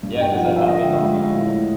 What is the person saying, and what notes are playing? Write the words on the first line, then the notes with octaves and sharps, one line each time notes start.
Yeah, 'cause it happened on, um,
G2
G5
F3 F#5
F5
E5
D3 D#5
G#3
A2